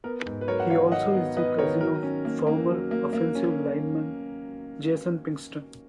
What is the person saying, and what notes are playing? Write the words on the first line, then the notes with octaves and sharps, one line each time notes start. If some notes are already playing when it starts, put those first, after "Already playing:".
He also is the cousin of former offensive lineman Jason Pinkston.
B3 A#4
G#2
B4
F#3 A#4 C#5
F#5
D#3 C#5 F5
F#3 D#5 F#5
B3
B3 B4 D#5
D#3 A#4 C#5
F#3 A#4
C#4
A#3
A#3
F#3
A#3
A#3
C#4